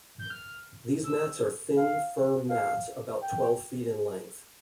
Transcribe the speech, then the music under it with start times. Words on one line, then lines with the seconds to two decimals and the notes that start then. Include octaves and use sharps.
These mats are thin, firm mats about twelve feet in length.
0.19 G6
0.30 F6
1.04 E6
1.76 F5
2.49 F5
3.21 G5